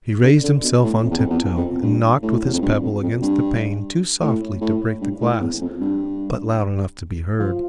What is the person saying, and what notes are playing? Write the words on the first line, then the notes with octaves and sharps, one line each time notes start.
He raised himself on tiptoe, and knocked with his pebble against the pane too softly to break the glass, but loud enough to be heard.
D3
D3
B2
A2
F2
E2
F2
E2
F2
G2
A2
E2
F2
G2
F2
F2
G2
A2
A2
G2
A2
E2
F2
G2
F3